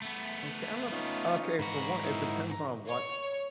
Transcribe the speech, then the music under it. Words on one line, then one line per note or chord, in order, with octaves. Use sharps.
Okay, I love okay, for one, it depends on what
A3 B3
C#4 D#4 F4
G#2 F#4 A#5 B5
D#4 E4 A#4
A#5
C#5